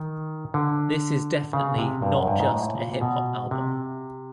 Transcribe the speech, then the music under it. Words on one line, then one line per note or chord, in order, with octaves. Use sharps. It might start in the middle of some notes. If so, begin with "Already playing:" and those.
This is definitely not just a hip-hop album.
Already playing: D#3
D3
C#3
C3
G2
F#2
G2
G#2
A2
A#2
A#2
B2
C3